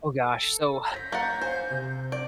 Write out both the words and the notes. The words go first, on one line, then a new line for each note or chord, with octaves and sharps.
Oh gosh, so,
A4
C#5 G6 A#6 B6
A#3 F#5 A#5 A6 A#6
C5 F5 G#5 C6
C3
D5